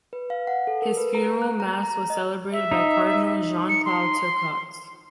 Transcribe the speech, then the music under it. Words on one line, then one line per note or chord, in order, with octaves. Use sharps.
His funeral Mass was celebrated by Cardinal Jean-Claude Turcotte.
B4
F5
F#5
A4
A#4
B4
A#5
F#6
A#5
A#5
D#5
E5
D#4 D#5
C#7
C6